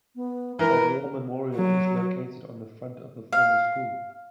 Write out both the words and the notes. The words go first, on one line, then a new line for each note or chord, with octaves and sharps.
A war memorial is located on the front of the former school.
B3
E3 A#4 B4
F#3
F5